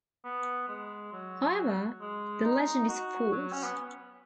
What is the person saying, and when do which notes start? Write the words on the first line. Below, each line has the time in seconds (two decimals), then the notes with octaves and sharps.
However, the legend is false.
0.24 B3
0.68 G#3
1.12 F#3
2.01 G#3
2.44 D#4
2.88 F#4
3.32 F#3
3.53 C#4
3.64 B3